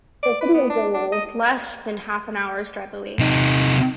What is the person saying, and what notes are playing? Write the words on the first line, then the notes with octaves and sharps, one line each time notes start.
The City of Bangor is less than half an hour's drive away.
D5
B4
B3
D4
D4
D#5
C3 D#4